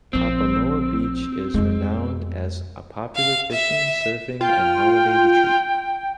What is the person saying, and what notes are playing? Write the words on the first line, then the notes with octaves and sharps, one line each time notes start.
Papamoa Beach is renowned as a popular fishing, surfing, and holiday retreat.
A#1 F3 C4
F2 G#3
F5
E5
F4 G5